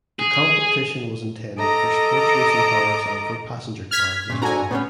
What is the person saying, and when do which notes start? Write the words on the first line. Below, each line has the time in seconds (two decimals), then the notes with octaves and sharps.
The competition was intended for sports racing cars and for passenger cars as well.
0.19 G#4
1.58 A4 D#5 A#5 D6
3.91 F6 G#6 B6
4.30 A#2 C#3
4.42 D4 F#4 A4 G#5 A#5
4.71 A2 C#3 B3 C#4